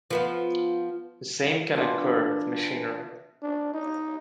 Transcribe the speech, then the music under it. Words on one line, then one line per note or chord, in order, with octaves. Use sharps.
The same can occur with machinery.
F3 B3 F4
E3 D4 F4
D4
D#4